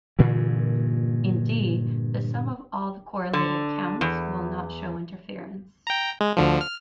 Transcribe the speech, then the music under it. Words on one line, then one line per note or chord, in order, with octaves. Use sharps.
In D, the sum of all the correlated counts will not show interference.
G2 A#2 D3 E3
D3
E2
G5 A#5
G#3
D2 D3 F3
F6